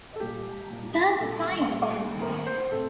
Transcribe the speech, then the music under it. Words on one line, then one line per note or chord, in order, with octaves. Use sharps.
Stand aside, then.
A4
A#2 G3 A#3 G4
A#2 G3 A#3
A#2 G3 A#3 A4
A#2 G3 A#3
A2 A3 C4 A#4
C5
A2 A3 C4 A4